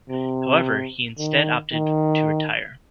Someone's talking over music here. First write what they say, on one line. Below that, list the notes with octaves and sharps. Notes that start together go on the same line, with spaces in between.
However, he instead opted to retire.
C3
D#3
D#3